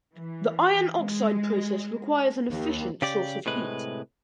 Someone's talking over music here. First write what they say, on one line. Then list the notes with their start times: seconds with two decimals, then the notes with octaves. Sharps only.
The iron oxide process requires an efficient source of heat.
0.15 E3
0.96 G#3
2.50 D#2
3.02 C#3 G4 D5
3.46 A2 C3 G#3 B4